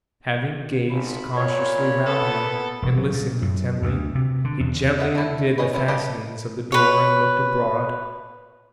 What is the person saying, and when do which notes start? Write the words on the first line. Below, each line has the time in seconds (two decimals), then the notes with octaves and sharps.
Having gazed cautiously round him, and listened intently, he gently undid the fastenings of the door, and looked abroad.
0.90 G#1 F4 B5
1.37 A#2 C#5
2.06 B3 A4
2.82 E1
2.97 F#3
3.13 A#2
3.42 F#2
3.82 D2
4.15 C3
4.45 D3
4.60 E2
4.99 D#5 E5 F#5
5.15 A3 E4
5.58 B4 C#5 D#5 G#5
5.73 F3 A3 E4 G#4 B4
5.88 G3 G4 B4 D#5 A5
6.72 B4 C#5